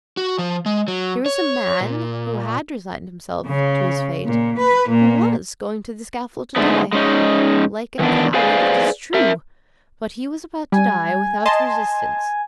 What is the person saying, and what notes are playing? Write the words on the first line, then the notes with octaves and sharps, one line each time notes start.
Here is a man who had resigned himself to his fate, who was going to the scaffold to die--like a coward, it is true, but he was about to die without resistance.
F#4
F3
G#3
F#3
C#5
A#2
C#3
A#2
B4
A#2
G#2 D3 G#3 A3 B3
G#3 C#4 D#4
D#3 E3 B3 D4
G#4 B4 C5 D5 F5 G#5
A#4 E5
G3 G#5
D#5 A5 C6